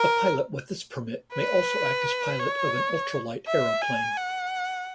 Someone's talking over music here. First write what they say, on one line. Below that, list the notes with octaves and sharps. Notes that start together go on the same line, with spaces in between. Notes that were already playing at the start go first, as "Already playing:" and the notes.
A pilot with this permit may also act as pilot of an ultra-light aeroplane.
Already playing: A#4
B4
C#5
E5
G#5
F#5